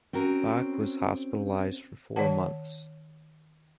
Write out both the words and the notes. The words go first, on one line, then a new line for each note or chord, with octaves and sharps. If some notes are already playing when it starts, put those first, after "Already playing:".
Bach was hospitalized for four months.
C4 C#4 F#4 A#4
D#3 C#5 D5 F#5 A5